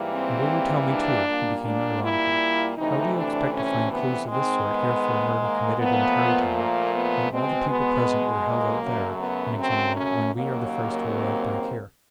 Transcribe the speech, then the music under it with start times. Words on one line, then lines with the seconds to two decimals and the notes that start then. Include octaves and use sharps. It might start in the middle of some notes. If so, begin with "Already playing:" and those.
And will you tell me, too"--he became ironical--"how do you expect to find clues of this sort here for a murder committed in Tarrytown when all the people present were held out there and examined, when we are the first to arrive back here?
Already playing: G#2 E3 G3 A#3
0.12 C4
0.87 D4
1.26 A#2 G3 A#3
1.63 D4
2.02 E4
2.76 D2 C3 E3 A3 D#4
3.14 D4
3.52 C#4
3.90 B3
4.28 G#2 D#3 G#3 C4
4.66 B3
5.41 A#3
5.79 A#2 F3 A3 B3
6.55 A#3
6.93 B3
7.30 B2 G#3 C4
7.69 B3
8.45 A#3
8.82 F#2 C#3 F#3 A3
9.20 B3
9.57 C4
9.95 C#4
10.34 D#2 C#3 F#3 A#3
11.09 C4